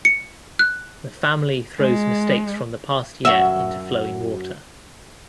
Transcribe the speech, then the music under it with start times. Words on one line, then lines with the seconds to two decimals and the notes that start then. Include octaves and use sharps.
The family throws mistakes from the past year into flowing water.
0.05 C#7
0.59 F#6
1.78 G#3
3.25 F#2 F#4 E5